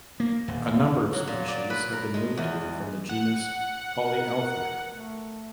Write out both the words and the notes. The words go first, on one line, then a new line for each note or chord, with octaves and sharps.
A number of species have been moved here from the genus "Polyalthia".
A#3
D#1
F#3
A#2
D5
B4
A#4
G#3
E2
F#5
A#4
A3